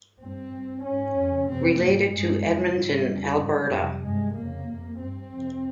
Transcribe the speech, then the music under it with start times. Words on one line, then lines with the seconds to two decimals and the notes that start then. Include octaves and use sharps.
Related to Edmonton, Alberta.
0.20 G2 C4
0.53 G2
0.85 G#2 C#4
1.16 F2 C#3
1.49 F2 C3 C4
1.80 G#2 A#3
2.12 G2 G#3
2.44 F2 C#3
2.75 G#2 G3
3.07 F2 C#3
3.40 G#2 G3
3.71 F2 C3
4.03 G2 G#3
4.35 F2 C#3 A#3
4.67 F2 C3
4.99 G2 C4
5.31 F2 C3